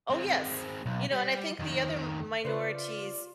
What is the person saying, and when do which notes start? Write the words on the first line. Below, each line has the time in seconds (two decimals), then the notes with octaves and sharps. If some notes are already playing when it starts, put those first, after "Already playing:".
Oh, yes, you know, and I think the other m minorities
0.10 G#3 C4
0.86 B1
1.12 G3
1.60 F2 D#3
2.45 C#3 F4 B4 C5 D5